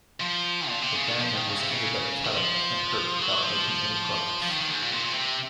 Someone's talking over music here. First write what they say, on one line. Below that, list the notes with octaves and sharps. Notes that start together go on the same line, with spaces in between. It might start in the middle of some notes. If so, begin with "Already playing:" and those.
The band members ended up cut up and hurt without making any progress.
F3
A#2
C3
C#3
D#3
F3
D#3
C#3
C3
C#3
D#3
F3
F#3
F3
F3
D#3
D#3
A#2
G#2
A#2
A#2
A#2
C3